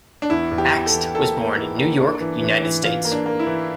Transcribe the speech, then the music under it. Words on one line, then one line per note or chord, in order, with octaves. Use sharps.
Akst was born in New York, United States.
D4
E2 E4
E2
G4
E2
A4
E3
A#3 A4
A#3
E3
A#3
D4
E3
E3
E3
E3 F4
A#3
D4
A#3
E4
E3